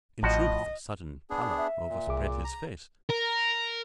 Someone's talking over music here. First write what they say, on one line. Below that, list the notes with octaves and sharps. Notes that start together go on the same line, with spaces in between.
In truth, a sudden pallor overspread his face.
A1 A2 F3 F#4 D#5
B3 D4 G#4
E5
A#2
C2 G#4 D6
A#5
A#4